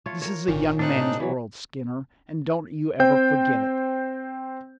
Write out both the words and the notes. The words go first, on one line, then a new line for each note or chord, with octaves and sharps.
This is a young man's world, Skinner, and don't you ever forget it.
A3 F4 C#5
A#4 C#5
G#1 A#2 D#3 C#4 A#4
A2 C4 D4 D#4 F#6
C#3
E3 F#3
C4 C5 G5 G6